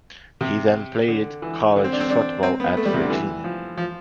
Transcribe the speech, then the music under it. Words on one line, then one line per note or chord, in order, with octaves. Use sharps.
He then played college football at Virginia.
C3
D3
E3
D3
C4
D4
C4
D4
C4
B3
A3
G3
C3
D3
E3
F3
F3